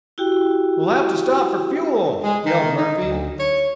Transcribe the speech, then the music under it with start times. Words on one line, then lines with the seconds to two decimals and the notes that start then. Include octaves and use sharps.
"We'll have to stop for fuel," yelled Murphy.
0.18 E4 F#4 G4 G5
2.23 G#3
2.45 D#3
2.76 D#4
3.04 D2
3.39 C#5